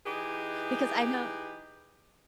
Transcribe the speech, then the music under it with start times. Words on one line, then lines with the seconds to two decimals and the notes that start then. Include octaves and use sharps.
because I know
0.06 E3 D#4 G4 G#4 B4